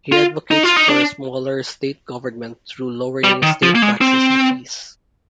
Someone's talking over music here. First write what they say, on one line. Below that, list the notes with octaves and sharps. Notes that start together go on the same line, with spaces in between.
He advocates for a smaller state government through lowering state taxes and fees.
F4
D#4
F4
D#4
D4
G3
D#3
F3
A#3
G#3
C4